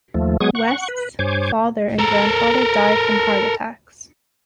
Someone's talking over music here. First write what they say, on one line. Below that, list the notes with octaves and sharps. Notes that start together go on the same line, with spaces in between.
West's father and grandfather died from heart attacks.
D#2 F3 A3
F#3 G#3 B3 G#4 C#6 D#6
F#5 C#6
B4
G2 C5 C#5 G#5 D6
A4 A#4